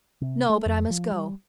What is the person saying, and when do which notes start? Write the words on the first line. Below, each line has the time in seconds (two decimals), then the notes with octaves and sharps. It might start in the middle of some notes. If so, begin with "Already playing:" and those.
"No, but I must go."
0.21 C3
0.50 A3
0.66 F2
0.90 F3
1.12 G3